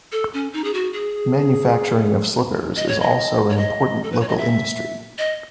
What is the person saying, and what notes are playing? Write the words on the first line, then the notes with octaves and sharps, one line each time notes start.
Manufacturing of slippers is also an important local industry.
A4
C#4
D#4
G#4
F#4
G#4
D#5
C#5
D#5
C#5
D#5
A4
B4
C#5
D#5
E5
D#5